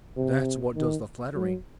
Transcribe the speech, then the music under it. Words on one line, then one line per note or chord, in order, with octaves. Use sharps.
That's what does the flattering.
C3
D#3
F#3